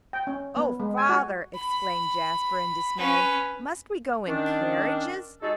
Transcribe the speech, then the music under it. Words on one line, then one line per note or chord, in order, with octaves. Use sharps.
"Oh, father," exclaimed Jasper, in dismay, "must we go in carriages?"
G5
C#4
B3
G#3
G#5
F#4
B5
C#4 B4
D#3 C#4 D4
G#3 D#4 F#4 G#4 A4